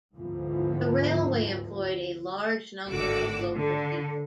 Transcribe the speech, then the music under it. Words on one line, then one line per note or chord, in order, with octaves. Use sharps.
The railway employed a large number of local people.
D2 G#2 E3 F3 B3
G#1 A2 D3 F#4 D6 E6
D3